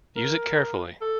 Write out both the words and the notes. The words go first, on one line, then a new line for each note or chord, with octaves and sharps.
Use it carefully.
A#4
A4